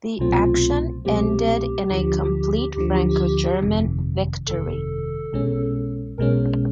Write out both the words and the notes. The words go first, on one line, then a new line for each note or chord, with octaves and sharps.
The action ended in a complete Franco-German victory.
C2 B2 F#3 A3 C4 F4
C2 B2 F#3 A3 C4 G4
D2 D3 F3
D2 D3 F3
G1 F2 C3 D#3
G1 F2 C3 D#3 A4
B1 B2 G#3 C#4
B1 B2 G#3 C#4 A#4